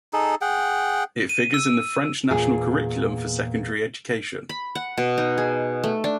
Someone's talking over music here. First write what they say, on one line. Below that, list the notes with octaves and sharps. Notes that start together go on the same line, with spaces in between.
It figures in the French national curriculum for secondary education.
D#4 G#4 A4
G#4 F#5 G5
D#7
E6
E2 A#2 G#4
B5
F#5
B2
D#4
G#4
A3
D4